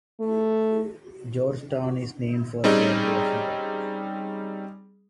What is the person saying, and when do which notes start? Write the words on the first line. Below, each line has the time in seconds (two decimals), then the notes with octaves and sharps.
Georgetown is named for George Washington.
0.20 A3
2.64 G3 C4 C#4 D#4 G#4